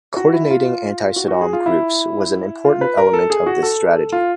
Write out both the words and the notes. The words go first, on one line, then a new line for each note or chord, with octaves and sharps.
Coordinating anti-Saddam groups was an important element of this strategy.
F#4
E4
F4
F#4
F#4
G#4
F4
E4
F4
B4
A#4
A4
G#4
F#4
A4
F4